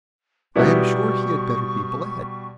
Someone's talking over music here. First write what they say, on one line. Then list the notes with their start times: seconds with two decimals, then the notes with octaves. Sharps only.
I am sure he had better be bled.
0.56 G#2 B2 G3 B3 E4 C#6